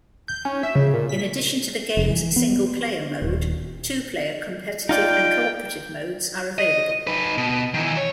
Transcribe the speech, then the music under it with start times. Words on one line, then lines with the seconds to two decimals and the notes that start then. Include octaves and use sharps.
In addition to the game's single-player mode, two-player competitive and cooperative modes are available.
0.28 G6
0.45 C#4
0.63 E5
0.75 C#3
0.94 A#2
1.09 B6
1.97 F1
2.09 E3
2.36 B3
3.22 D#1
4.89 D#4 F4 D5 G5
6.58 D#5
7.07 D#4 B4
7.38 B2
7.74 D#3 E3
7.97 C#5